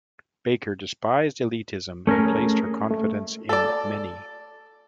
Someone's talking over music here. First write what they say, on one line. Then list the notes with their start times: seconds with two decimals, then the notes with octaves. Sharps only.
Baker despised elitism and placed her confidence in many.
2.07 A3 C#4 G#4 A#4
2.91 A3
3.49 A4 D5